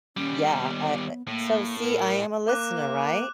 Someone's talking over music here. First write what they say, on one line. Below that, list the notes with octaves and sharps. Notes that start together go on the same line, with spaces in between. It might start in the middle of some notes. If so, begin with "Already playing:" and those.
yeah, I, uh So see, I am a listener, right?
D#2 G3 C#4
B3
A2 A#3
A#4
A#3 D6 F#6